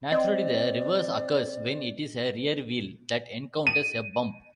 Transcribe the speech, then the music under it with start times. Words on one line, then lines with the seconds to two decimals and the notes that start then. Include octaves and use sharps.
Naturally the reverse occurs when it is a rear wheel that encounters a bump.
0.12 C4 D5 D#5
3.67 D#7